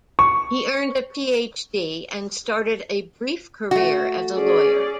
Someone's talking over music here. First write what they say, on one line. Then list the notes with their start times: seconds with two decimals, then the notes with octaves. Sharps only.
He earned a Ph.D. and started a brief career as a lawyer.
0.19 C#6
3.71 A3 F#4
4.35 C#4 G#4 D5